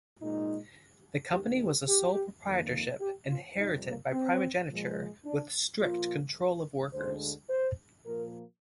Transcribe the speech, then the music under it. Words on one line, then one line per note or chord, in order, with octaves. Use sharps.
The company was a sole proprietorship, inherited by primogeniture, with strict control of workers.
A#2 G#3 D#4
D#2 D#3 G#3 G4
G4
G4
F2 D#3 A#3
G4
F4
F2 C3 G3 D#4
A#3
C4
A#2 F3 G#3
D4
A#2 F3 A#3 F4
D2 D3 G#3 C5
C5
A#2 F3 A#3 A#4